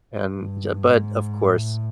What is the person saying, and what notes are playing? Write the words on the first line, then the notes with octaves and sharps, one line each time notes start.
and j but, of course,
G2
G#2
A2